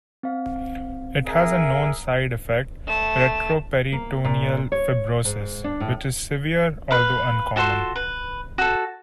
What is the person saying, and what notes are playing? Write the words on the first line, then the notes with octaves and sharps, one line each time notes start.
It has a known side effect, retroperitoneal fibrosis, which is severe, although uncommon.
C4 F5
G#4 A#4 E5
A3 E7
A#3
A#2
C#5
G#2
D4
A2
B4 F5
F4 F#4 A4 C6
B4
F#4 A4